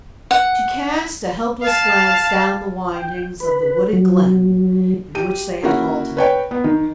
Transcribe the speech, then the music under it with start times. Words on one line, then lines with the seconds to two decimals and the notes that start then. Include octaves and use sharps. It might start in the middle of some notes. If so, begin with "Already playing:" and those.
She cast a helpless glance down the windings of the wooded glen in which they had halted.
0.31 F#5
1.61 F5 A5
2.93 G5
3.40 B4
3.93 F#3
5.15 G4 D#7
5.63 A#3 C#4 E4 F#4
6.17 B4 C#5 G5
6.51 B3
6.64 D#3